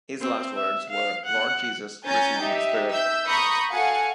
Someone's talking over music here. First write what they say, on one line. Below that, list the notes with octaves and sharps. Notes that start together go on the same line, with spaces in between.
His last words were "Lord Jesus, receive my spirit".
C4
E5
F5
F#5
C#4 G#5 A#5 G6 A6
D#4 G4 E5
E5 E6 G6
A#5 B5 C#6 D#6 G6 A#6
F#4 A4 F5 F#5 G#5 C#7